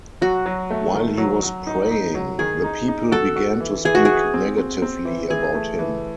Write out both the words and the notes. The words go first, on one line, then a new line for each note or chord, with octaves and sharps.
While he was praying, the people began to speak negatively about him.
F#3 F#4
F#3
A3
D#3
F#3
F#3
D#4
D#4
F#3
D#3 G#4
D#4
D#4
F#4 A4
F#4
E3
E3 G#4
F#4
E3 G#4
C4
C4
C4
E3
E3 G#4
A3
E3